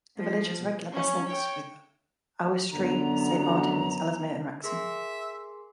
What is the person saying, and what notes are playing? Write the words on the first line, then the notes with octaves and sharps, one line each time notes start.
The village has regular bus links with Oswestry, Saint Martins, Ellesmere and Wrexham.
F3
B2
C#4
C#5 G5
F#2 D3 B3 A#5
G#4 A#4 E5 C6